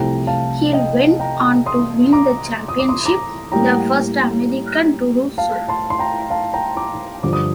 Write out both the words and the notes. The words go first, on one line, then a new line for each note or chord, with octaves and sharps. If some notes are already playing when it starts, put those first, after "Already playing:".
Hill went on to win the championship, the first American to do so.
Already playing: C2 C3 F3 A3 G5 A#5
F5 A5
D#5 G5
G5 A#5
C6 D#6
A#5 D6
D#6
D6
C6 D#6
A#5 D6
A2 G3 A#3 G5 A#5
F5 A5
A5 C6
C6
G5 A#5
F5 A5
G5 A#5
A#5 D6
G2 D3 F3 D6
D#6